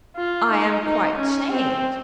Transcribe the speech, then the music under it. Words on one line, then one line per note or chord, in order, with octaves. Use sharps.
I am quite changed.
F4
D#4
D#4
C#4
C4